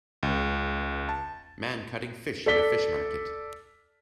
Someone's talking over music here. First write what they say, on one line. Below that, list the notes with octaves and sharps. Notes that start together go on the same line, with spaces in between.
Man cutting fish in a fish market.
C#2
A5
A4 D5 B6 G7